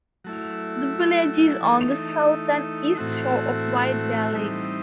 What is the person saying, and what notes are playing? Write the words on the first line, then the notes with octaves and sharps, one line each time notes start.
The village is on the south and east shore of White Bear Lake.
F#3 A3 E4
E3 A3 D#4
A2 E3 A3 C4 F#4
E3 G3 C4 D#4